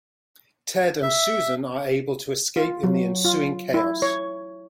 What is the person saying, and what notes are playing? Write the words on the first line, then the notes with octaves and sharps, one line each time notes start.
Ted and Susan are able to escape in the ensuing chaos.
E5
F4
F#3
F4
E4
C#5